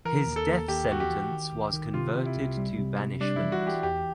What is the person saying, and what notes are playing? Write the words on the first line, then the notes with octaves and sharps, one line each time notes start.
His death sentence was converted to banishment.
E3 A#4
D#2
A4
D#2
D#2 G4
D#2 F#4
G4
E3
D#3
C2
D#3
C3 F4
C3
E4
C2
G3
C3
C3
G3 D4
E3 E4
F#4
E3 G4
E2 G4